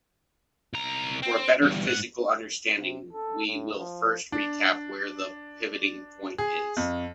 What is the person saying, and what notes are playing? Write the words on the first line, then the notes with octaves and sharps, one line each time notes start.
For a better physical understanding, we will first recap where the pivoting point is.
C2 A#5
C4
E2 G2
G#2 F#5
C3
A4
A2
F3
D4
G#4
F2